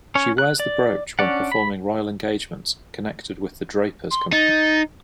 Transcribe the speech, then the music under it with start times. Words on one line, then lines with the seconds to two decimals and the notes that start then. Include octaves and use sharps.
She wears the brooch when performing royal engagements connected with the Drapers Company.
0.15 C#4 C#5
0.38 F#6
0.60 D5
1.19 C#4 D4 D5 F#5
1.52 B5
4.11 C6
4.32 D#4 A6